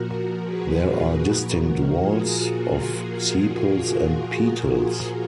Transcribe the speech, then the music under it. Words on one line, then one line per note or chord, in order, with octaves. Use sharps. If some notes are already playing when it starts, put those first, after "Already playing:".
There are distinct whorls of sepals and petals.
Already playing: A#2 F3 F#4 A#4
G#4 B4
F#4 A#4
A#2 F3
F4 G#4
F#4 A#4